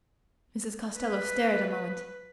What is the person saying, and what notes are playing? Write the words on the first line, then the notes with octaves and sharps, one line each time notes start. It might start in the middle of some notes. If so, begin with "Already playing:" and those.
Mrs. Costello stared a moment.
B4